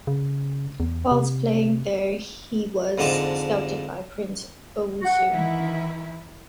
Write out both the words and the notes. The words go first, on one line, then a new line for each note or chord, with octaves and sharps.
Whilst playing there he was scouted by Prince Owusu.
C#3
E2
C3
F2 G#2 D3 D#5 A5
D#3 E3 E4